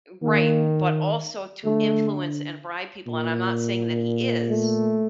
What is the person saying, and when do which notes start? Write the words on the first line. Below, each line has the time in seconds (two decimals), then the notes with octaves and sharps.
Right, but also to influence and bribe people, and I'm not saying that he is,
0.23 D#3 A#3
1.65 D3 A3
3.07 A#2
4.50 A3